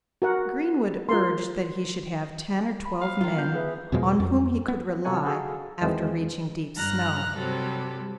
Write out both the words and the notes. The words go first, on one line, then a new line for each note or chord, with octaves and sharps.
Greenwood urged that he should have ten or twelve men on whom he could rely after reaching deep snow.
F#4 A#4 F#5
F4 A#4 C6
B5
F5
D#3 F4 A#5
B3 G6
G#4 B4 E5
E2 B2 F3 G#3
F2
B3
C3 F#3 F4 A4 F#5 G#5
F#4 G#4 A4 F5
E2 D#3 E3 F#3 G#3 C4
G2 A#5 F6 F#6 A#6
C3 F#3 G3 A4